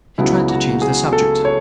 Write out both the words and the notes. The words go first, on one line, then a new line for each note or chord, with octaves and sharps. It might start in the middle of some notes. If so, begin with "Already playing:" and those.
He tried to change the subject.
C#2 C#3 F#3 B3 E4
F#4
G#4
A4
C#5